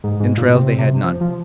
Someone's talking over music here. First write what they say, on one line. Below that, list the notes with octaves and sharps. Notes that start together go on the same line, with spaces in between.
Entrails they had none.
G#2
G#2
A#2
C3
C3
F3
F3